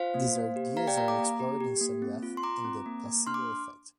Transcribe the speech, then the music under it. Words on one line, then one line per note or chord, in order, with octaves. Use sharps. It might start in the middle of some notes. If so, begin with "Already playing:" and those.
These ideas are explored in some depth in "The Placebo Effect".
Already playing: F4 C5 F5
A#3
A#3
G4
G4 F5 A#5
D5 G5
A#3 F5 A#5
A#5 D6
A#3
G4
G4
A#3
C4
F4
C6
F4 A#5 D6
C4
A#3
A#3
D4 C6 F6
D6